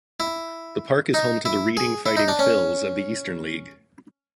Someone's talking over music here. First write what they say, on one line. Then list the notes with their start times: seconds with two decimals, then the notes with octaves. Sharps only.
The park is home to the Reading Fightin Phils of the Eastern League.
0.20 E4
1.14 D#4
1.45 E4
1.77 G#4
2.06 E4
2.17 D#4
2.28 D4
2.39 C#4